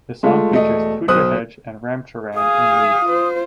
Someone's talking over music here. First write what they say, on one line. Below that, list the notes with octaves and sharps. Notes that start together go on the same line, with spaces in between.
The song features Pooja Hegde and Ram Charan in leads.
G#3 A3 F4
E1 A3 D#5
B1 C5 D#6 F#6
G#4 F5 D#6
F4 C5